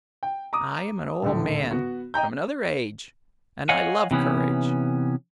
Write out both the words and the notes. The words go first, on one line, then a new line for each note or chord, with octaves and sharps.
I am an old man from another age and I love courage.
G5
A#5 D6 D#6
D#1 A2 D3
B3 F#4
D#5 G5 A#5 G6
C#5 D#5 F5 F#5 G#5
C3 E3 B3 C#4